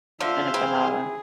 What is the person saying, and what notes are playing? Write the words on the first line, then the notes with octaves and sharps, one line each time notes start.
an empanada?
D3 F4 C5 E5 F5
E3 C4 E4 G#4